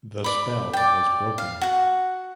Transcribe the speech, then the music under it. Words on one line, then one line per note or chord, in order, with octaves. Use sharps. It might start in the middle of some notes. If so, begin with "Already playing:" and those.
The spell was broken.
D5 B5
D5 G5
F5
F#4 F#5